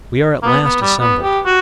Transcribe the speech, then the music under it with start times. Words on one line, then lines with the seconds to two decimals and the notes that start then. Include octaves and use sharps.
We are at last assembled.
0.42 A#3
0.46 B3
0.65 B3
0.81 G3
0.99 B3
1.23 G4
1.46 F#4